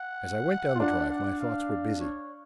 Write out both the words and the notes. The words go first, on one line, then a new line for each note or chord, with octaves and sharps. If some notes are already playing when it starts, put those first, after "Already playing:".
As I went down the drive, my thoughts were busy.
Already playing: F#5
F4
D4 F#5
F#5
F5
C#5